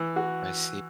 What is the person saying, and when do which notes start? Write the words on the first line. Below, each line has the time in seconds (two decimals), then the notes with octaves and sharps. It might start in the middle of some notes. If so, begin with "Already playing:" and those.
I see
Already playing: E3
0.16 F#4